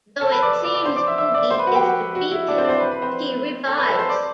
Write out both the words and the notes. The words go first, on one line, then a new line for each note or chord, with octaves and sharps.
Though it seems Oogie is defeated, he revives.
A4 A5
B4 B5
D5 D6
E6
D5 D6
D5 D6
C5 C6
D5 D6
E5 E6
E5 E6
D5 D6
C5 C6
B4 B5
F#4 F#5
G4 G5
F#4 F#5
F#4 F#5
E4 E5
D4 D5
C4 C5
D5
C4 C5
B4
B4
C4 C5
A4
B4
A4 A5
C5 C6
D5 D6